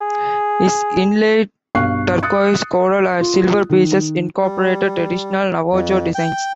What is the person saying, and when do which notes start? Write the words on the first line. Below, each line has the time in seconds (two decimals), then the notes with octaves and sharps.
His inlaid turquoise, coral, and silver pieces incorporated traditional Navajo designs.
0.01 G#4
1.75 B1 G2 F5 C#6 F#6 C7
2.23 D#6 F#6 A6 C#7
3.21 F4
3.70 D#3
4.42 G3
5.72 F2
6.15 G5